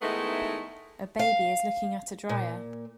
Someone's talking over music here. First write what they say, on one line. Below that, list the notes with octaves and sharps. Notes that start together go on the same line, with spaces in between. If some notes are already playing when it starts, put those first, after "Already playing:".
A baby is looking at a dryer.
D#3 G#3 A3 B3 D#4 E4
F5
A#2